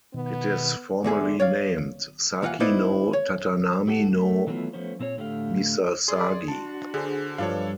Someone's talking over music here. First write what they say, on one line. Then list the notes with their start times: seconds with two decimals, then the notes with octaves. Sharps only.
It is formally named "Saki no Tatanami no misasagi".
0.14 B2 D#3 B3
1.04 E2 D3 G#4 E5
1.40 C#5 D5 F5
2.42 A#2 E3 F4 F5 F#5
2.60 A#3 B3 D#4 E4 C5 D5
3.13 C#5
3.87 E4 G4 A4 F#5
4.16 A3
4.47 D#3 E3 F#3 A3 B3 F4
4.73 F3 A3 B3 C#4 C5
5.00 A#2 C4 A#4 C#5
5.17 A2 D3 A3 G4 D5 F5
6.08 G#4 D5 C6
6.48 D4 F#4 A5
6.94 D3 G#4 C5
7.38 G2 F3 D4 A4 C#5 F5